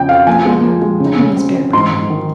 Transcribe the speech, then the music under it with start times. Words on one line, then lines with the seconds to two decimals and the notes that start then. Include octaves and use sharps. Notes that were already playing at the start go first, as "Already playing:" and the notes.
My brother, lend me a spare pony.
Already playing: F2 C#3 G5
0.09 C4 F5
0.27 F3 G#5
0.45 G#3
0.64 F3
0.82 G#3
1.00 C#3
1.18 C#3
1.37 C4
1.55 C4
1.73 G#2 C6
1.91 G#2
2.10 D#3